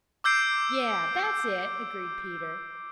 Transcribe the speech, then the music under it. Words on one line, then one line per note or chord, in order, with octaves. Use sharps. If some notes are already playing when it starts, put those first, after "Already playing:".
"Yes, that's it," agreed Peter.
D6 E6 G6 C7 D7